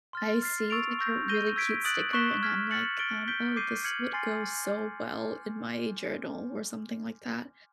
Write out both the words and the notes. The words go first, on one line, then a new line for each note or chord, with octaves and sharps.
I see, like, a really cute sticker, and I'm like, um "Oh, this would go so well in my journal or something like that.
C6 F6 A6
F6 A6 C7
C#6 E6 A6 D7 F7
C#6 E6 G6 A#6
G6 A#6 D#7 G7
E6 G#6 B6 D7
D#6 F#6 A6 D7 F#7
C#6 F#6 B6 E7 G7
F6 G#6 B6
F6 A6 C#7 F#7
F6 A6 D7 G7
G6 B6 D7 G7
D6 G6 C7 D#7
F6 G#6 C#7 F#7
G#5 C6 F6 A6 C7